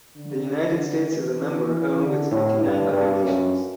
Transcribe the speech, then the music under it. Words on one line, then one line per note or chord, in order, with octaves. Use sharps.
The United States is a member along with twenty-nine other nations.
D3
E3
E3
D3
A2
G2
G2
F#2